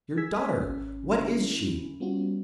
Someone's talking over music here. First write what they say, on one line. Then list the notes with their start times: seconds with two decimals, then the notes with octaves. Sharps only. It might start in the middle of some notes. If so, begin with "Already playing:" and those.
Your daughter--what is she?
0.17 G#4 E6 G#6 B6
0.61 G#1 C#4
1.17 D3 C#4 E4
2.00 G3 B3 C#4 F4 F#4